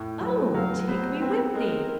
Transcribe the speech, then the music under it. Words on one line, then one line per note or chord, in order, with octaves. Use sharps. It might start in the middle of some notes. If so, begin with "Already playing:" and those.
'Oh! take me with thee!'
Already playing: A2
F#3
F#3 F5
B3 C5
C4 B4
G#3 A#4